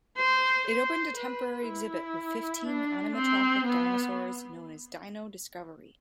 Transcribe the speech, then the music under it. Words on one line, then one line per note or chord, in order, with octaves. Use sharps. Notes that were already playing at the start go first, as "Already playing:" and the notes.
It opened a temporary exhibit with fifteen animatronic dinosaurs known as "Dino Discovery".
C5
C5
B4
E4
D4
C4
B3